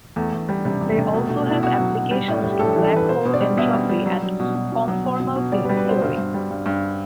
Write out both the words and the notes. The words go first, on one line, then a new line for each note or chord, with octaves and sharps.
They also have applications to black hole entropy and conformal field theory.
E2 A3
E2
G3
C3 G3
E2
A3
C3
B2 A3
A3
B2
A3
B2 E4
B2 F#4
F#3
B2
G3
A2
G3
G4
A2 A4
A4
E3
A4
E3 B4
B2 C5
B2
D5
G3
B2 E5
G3
G3
F#3
F#3
B2
B2
B2
F#3
B2
B2
B2
G3 D5
B4
G3
B4
B2 C5
G2
G2
G3
G2
G2